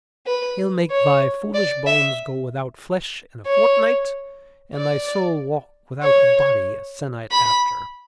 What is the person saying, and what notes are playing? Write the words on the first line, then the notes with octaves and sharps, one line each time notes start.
He'll make thy foolish bones go without flesh in a fortnight, and thy soul walk without a body a sennight after.
B4
C#5
D5
E5
C#5
D5
C#5
B5